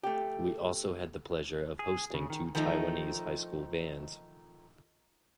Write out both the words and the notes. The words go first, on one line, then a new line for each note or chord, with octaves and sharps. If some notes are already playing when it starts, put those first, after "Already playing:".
We also had the pleasure of hosting two Taiwanese High School bands.
A3 G4
G#4
C#3
D#3
D#3 F3 A3 D#4